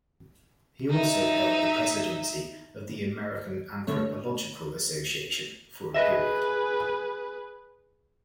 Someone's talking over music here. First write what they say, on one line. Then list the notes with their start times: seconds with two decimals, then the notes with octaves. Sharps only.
He also held the presidency of the American Anthropological Association for a period.
0.90 D#4 E5
3.87 D3 A3 C#5
5.94 G#4 B4 D#5 E5